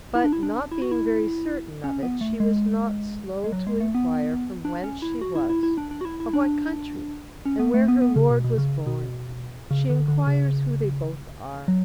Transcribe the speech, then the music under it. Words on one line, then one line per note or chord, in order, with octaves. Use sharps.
But not being very certain of it, she was not slow to inquire from whence she was, of what country, and where her lord was born; she inquires who they both are.
E4
D4
E4
D4
E4
F#4
E4
C#4
B3
A3
G#3
G#3
F#3
G#3
A3
B3
D4
C#4
E4
F#4
E4
E4
E4
D4
D4
F#4
E4
E4
D4
C#4
B3
A3
B3
B3
C#3
B2
B2
C#3
B2
C#3
D3
D3
C#3
F#3